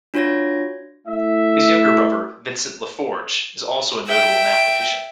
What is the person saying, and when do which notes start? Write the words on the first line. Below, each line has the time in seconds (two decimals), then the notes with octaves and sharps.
His younger brother Vincent Lafforgue is also a notable mathematician.
0.14 D4 F4 F#4 C#5 G#6 A#6
1.07 A3 E4 E5
4.07 E5 G5